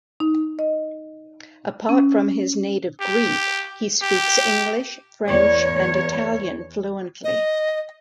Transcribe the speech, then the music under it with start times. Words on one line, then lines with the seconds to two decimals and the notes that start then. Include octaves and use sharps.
Apart from his native Greek, he speaks English, French, and Italian fluently.
0.20 D#4
0.59 D#5
1.89 C#4
3.01 G4
4.02 G4
5.28 E2 C#5 D5
7.24 D#5